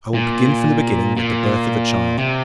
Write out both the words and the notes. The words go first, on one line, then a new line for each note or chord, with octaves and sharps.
I will begin from the beginning with the birth of a child.
A#2
A#2
C3